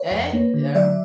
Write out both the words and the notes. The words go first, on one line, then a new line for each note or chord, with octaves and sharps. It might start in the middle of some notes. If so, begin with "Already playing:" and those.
Hey, yeah.
Already playing: B4 C#5
F2
A#3
D3
F#3 D5 E5